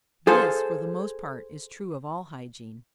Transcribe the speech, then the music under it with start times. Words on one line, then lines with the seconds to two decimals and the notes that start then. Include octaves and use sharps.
This, for the most part, is true of all hygiene.
0.27 G#4 A4 C5 F5